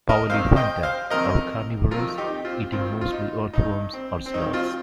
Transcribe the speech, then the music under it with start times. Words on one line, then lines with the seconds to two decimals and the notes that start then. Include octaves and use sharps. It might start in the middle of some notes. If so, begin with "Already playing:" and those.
"Powelliphanta" are carnivorous, eating mostly earthworms or slugs.
0.09 A#4 D#5
0.30 F2 C3 D#3 C5 F5
0.56 D#5 G5
0.83 C5 F5
1.10 F2 C3 D#3 A#4 D#5
1.91 F2 C3 D#3 F4 A#4
2.18 D#4 G4
2.45 C4 F4
2.72 G2 D#3 C4 F4
3.01 F4
3.12 D#4
3.53 G2 D#3 D#4
3.93 C4
4.26 C4
4.34 G2 D#3 D#4
4.53 C4 F4